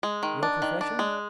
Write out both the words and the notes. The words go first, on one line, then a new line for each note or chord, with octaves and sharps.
"Your profession?"
G#3
D#3
D4
D#3
D4
G#3